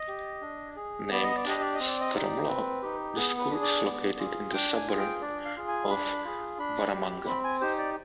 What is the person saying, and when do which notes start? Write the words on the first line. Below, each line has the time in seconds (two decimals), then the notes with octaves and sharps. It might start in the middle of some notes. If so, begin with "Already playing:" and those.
Named Stromlo, the school is located in the suburb of Waramanga.
Already playing: D#5
0.08 G4
0.41 D4
0.76 G#4
1.10 B3 D5
1.23 D#5
1.36 D5
1.45 D4 G4 D#5
1.61 D5
1.75 C4 D#5
1.87 D5
2.01 D#5
2.12 D#4 G4 D5
2.48 C4 B4
2.82 D#4 G4
3.16 B3 G#4
3.38 B4
3.50 D4 G#4
3.62 D5
3.85 B3
4.18 F4 G#4
4.53 D4 G5
4.76 G#5
4.88 F4 G#4
4.99 G5
5.21 D4 D5
5.45 F5
5.56 F4 G#4
5.68 G#5
5.90 D4 B5
6.24 F4 G#4
6.58 D4 B5
6.93 G4
7.27 C4 B5
7.44 G#5
7.61 D#4 G4 C5
7.78 D5